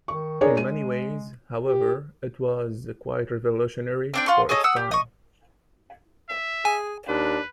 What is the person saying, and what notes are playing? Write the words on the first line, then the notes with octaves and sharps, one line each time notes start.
In many ways, however, it was quite revolutionary for its time.
D#3 C#6
D4 G#4 A#4 C#5
G#3 D#7
G4
C4 D4 G5
F4 F#5 C6 C#6
G#4 A4 C#5 D#5
F#5 D#6 E6
G4
D#5 C#6
E5
G#4 G#5
D#2 D4 B4